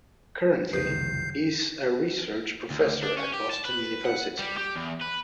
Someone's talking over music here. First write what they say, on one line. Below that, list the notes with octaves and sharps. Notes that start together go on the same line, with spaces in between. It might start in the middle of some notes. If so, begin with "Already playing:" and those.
Currently, he is a research professor at Boston University.
F#1 C2 F2 D#3 G4 B4 G6 C7
D2
D4
C#4
G4
A5
B4
F#5
G3
G4
E2
B4